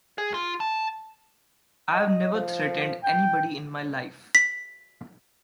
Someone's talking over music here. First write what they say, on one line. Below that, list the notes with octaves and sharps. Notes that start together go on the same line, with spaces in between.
I've never threatened anybody in my life.
G#4
F4
A5
D#5
F3
G5
B6